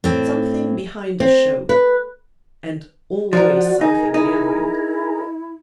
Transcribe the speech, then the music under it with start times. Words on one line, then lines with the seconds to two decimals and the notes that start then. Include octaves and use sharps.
Something behind a show--and always something behind.
0.04 A2 C4
1.20 C4
1.69 B4
3.33 F3 F#4 A#4 D5
3.81 D#4 G#4 A#4 G#5
4.14 D#4 E4